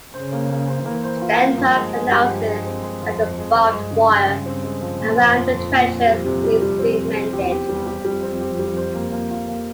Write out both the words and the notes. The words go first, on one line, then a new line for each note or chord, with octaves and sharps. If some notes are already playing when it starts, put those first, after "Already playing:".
Stanhope announces that the barbed wire around the trenches needs to be mended.
C#3 C5
A#3
A#3
C5
E3 A#3
C5
F4
A#3
G2 F3
G#3
G#3
G4
F3
G#3
C4
G#3
F2 F3
F3
G#3
F3
G2 G#3
C#3
C#3
C#3
C4
G#3
F3
A#2
F2 C4
F3
F3
A#2
C4
G3
C3
G3
G3
C4
C4
C4
E2 G4
G4
E2 G3
G4
F2 G3
C4
G4
G3
C5
A#3
A#3
F4
A#3